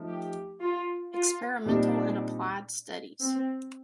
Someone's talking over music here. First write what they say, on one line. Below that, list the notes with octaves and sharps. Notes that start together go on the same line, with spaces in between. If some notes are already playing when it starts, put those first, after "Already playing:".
Experimental and Applied Studies.
Already playing: F3 A3 D#4
G4
F4
F4
A#2 G3 C4 D4 D#4 G4
C4